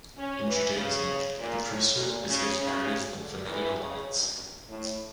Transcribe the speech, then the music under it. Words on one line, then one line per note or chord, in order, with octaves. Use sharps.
In Judaism the priesthood is inherited in familial lines.
C#4
E3
C#3
A#2
A2
A#2
C#3
C#3
D3
E3
C#3
A2